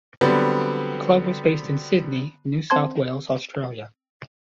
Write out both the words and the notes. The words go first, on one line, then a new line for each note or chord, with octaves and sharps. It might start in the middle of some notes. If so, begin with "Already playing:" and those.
The club was based in Sydney, New South Wales, Australia.
D3 F#3 G3 B3 C4
C4 C5 A5 C6 G#6